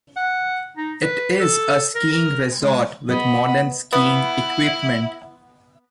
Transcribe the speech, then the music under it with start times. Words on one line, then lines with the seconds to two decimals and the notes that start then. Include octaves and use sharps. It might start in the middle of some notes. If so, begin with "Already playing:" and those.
It is a skiing resort with modern skiing equipment.
0.16 F#5
0.77 D#4
1.02 B4
1.40 A4
1.95 A#4
2.12 A#4
2.60 G#3
3.09 B3 D#5 B5
3.93 B3 E4